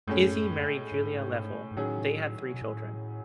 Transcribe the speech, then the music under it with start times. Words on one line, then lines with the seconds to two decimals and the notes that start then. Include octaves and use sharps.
Izzy married Julia Leffel; they had three children.
0.07 F#2 A2 G#3 C#4
0.92 G#2
1.71 G#2
1.76 A2 D#3 F#3 C#4 G#4
2.54 B2
2.62 A2